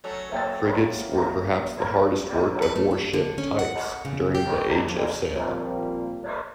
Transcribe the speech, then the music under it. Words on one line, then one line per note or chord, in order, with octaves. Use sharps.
Frigates were perhaps the hardest-worked of warship types during the Age of Sail.
F#3 A3 C#4
A#3 E5 G5 A6
B4
A3
A4
D3
C#4
F#5
C#3
G4
F2
A#2 F3 G3 A#3 C4